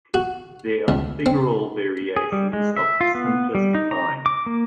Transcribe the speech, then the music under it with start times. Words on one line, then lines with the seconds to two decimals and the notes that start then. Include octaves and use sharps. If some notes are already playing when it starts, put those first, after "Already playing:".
They are figural variations of the simplest kind.
0.14 F#4
0.88 C#2
1.26 C4
2.16 G#4
2.32 G3
2.53 G#3
2.76 E5
3.01 F4
3.15 B3
3.55 G3
3.75 D#4
3.91 A#5
4.26 D6
4.46 A#3